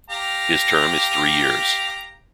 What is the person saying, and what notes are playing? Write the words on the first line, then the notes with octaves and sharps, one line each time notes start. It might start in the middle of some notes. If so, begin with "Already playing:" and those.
His term is three years.
G4 F5 A#5